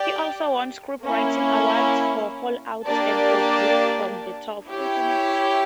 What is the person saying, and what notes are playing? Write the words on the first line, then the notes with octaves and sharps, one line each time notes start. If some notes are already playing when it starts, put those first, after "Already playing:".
He also won scriptwriting awards for "Fallout" and for "View from the Top".
Already playing: G4 D5 G5
A#3 C#4 E4
A#3 D4 G4 D5 A5
E4 G4 C#5 G5